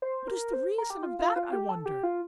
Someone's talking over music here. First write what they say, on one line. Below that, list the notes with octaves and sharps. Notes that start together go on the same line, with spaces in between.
What is the reason of that, I wonder?
C5
A#4
C5
A#4
G4
F4
F4
F4
G4
A4
G4
F4